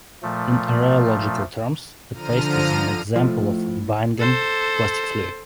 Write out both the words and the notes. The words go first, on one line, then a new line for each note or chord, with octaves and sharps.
In rheological terms, a paste is an example of a Bingham plastic fluid.
A#2 F3 A3
D3 F3 A#5 F6 D#7
A2 F3 A3 D#5
A4 C5